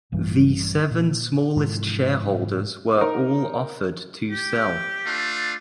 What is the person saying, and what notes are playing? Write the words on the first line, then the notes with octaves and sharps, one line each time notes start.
The seven smallest shareholders were all offered to sell.
A#1 G2 E3
A#2
G#2 C3 E3 F3
D#4 A#4
G4
A3 D4 F4